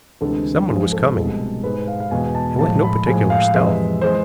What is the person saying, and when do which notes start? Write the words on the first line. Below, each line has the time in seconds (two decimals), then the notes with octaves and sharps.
Someone was coming, and with no particular stealth.
0.21 D2 C3 E3 G#3 A4
0.69 G#2 F3 G#3 G#4
0.92 A4
1.16 C2 B2 G#3
1.63 G#2 G#3 B4
1.87 F5
2.00 F5
2.11 E2 B2 G#3 G#5
2.35 A5
2.59 A2 F3 G#3 A5
2.83 B5
3.06 A2 F3 G#3 G#5
3.30 F5
3.54 F2 C3 E3 G#3 E5
4.01 E3 G#3 C5